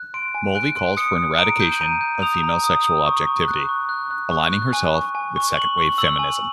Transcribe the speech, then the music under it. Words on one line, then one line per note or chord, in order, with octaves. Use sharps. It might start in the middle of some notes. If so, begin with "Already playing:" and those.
Mulvey calls for an eradication of female sexual objectivity, aligning herself with second-wave feminism.
Already playing: F#6
C6 D7
G#5
F#6 D7
C6
D#6 C#7
D#6
A#5 D7
G6
A#5 D#7
G6
D#6 F7
A#5
D#6
D#6
C#6
C#6
F#6
C#6
F#6
F#6
C#6
F#6
G#5
C#6
G#5
C#6
C#6 F#7
C#6
E6 F#7
G#5